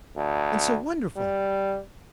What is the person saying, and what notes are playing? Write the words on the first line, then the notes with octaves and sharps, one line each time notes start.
And so wonderful!
D2
G3